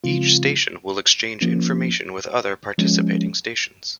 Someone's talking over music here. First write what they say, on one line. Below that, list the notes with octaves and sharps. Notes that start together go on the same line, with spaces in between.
Each station will exchange information with other participating stations.
C#3 F3 G#3 C4 F4
F3 A#3 C#4
F3 G#3 C#4